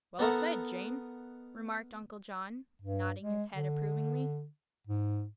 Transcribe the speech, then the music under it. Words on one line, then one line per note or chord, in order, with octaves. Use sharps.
"Well said, Jane," remarked Uncle John, nodding his head approvingly.
B3 D#4 A4 A#4 F#5
G2
G#3
D3
G#2